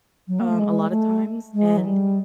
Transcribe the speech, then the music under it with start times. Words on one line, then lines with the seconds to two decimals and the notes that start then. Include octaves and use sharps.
um, a lotta times. And
0.28 F#3
0.40 A#3
0.49 A3
0.59 G#3
0.90 A3
1.54 G#3
1.78 F#3
1.85 G3